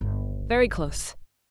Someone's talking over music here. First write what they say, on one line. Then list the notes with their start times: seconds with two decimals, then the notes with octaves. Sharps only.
Very close!
0.01 G1 D#2